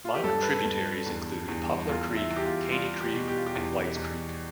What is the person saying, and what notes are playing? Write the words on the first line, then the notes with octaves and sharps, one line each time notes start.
Minor tributaries include Poplar Creek, Caney Creek, and White's Creek.
F4
G4
G2 A4
B4
A4
G2
E2
E2
E2 F4
E4
E2
G4
F4
G3 F4
G4
B2
G4
F4
G4
E2
E2